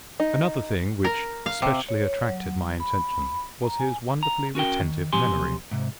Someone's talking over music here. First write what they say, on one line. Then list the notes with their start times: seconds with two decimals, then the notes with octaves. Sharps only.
Another thing which specially attracted my attention was his wonderfully retentive memory.
0.20 D#4
1.04 A#4
1.46 F5
1.62 C3
1.88 C#5
2.29 F#3
2.80 B5
3.63 A#5
3.79 G#5
4.23 A#5
4.55 C#4 F#4 A#4 G5
4.80 D#3
5.13 B1 C3 F3 G4 G#5 C6
5.71 G#2 C3